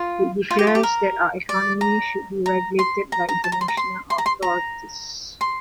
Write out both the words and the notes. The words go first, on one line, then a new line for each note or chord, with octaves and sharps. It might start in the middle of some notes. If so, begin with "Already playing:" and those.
It declares that our economy should be regulated by international authorities.
Already playing: F4
F4
G4
F4
G4
A#4
D5
A#5
A#5
C6
A#5
A#5
A5
A#5
C6
A#5
C6
C6
A#5
C6
A#5
C6